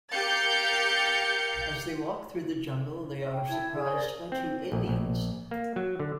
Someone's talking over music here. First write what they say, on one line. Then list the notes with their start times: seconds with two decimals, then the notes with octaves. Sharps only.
As they walk through the jungle, they are surprised by two aliens.
0.12 G4 A#4 F5 G6 A6 C#7
3.33 G5
3.49 E4 A5 G#6
3.75 G#4
3.91 A#4 C5 D5
4.32 C4
4.72 A#1
4.88 A#1
5.51 A#3
5.76 F#3
6.00 D3